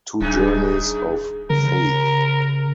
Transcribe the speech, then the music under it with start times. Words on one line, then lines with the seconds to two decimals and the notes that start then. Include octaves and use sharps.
Two Journeys of Faith.
0.20 D1 F#2 G#3 D#4
1.50 C#3 A#4